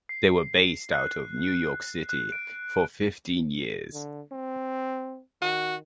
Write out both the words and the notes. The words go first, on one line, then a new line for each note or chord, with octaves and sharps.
They were based out of New York City for fifteen years.
C7
F#6
F#6
D7
D3
C4
D#3 F#4